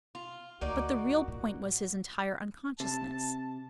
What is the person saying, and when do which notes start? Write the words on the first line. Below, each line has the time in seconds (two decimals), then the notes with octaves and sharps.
But the real point was his entire unconsciousness.
0.15 F4
0.61 D2 A#3 D#4 F#4 D5
1.28 A#2
2.80 C3 A5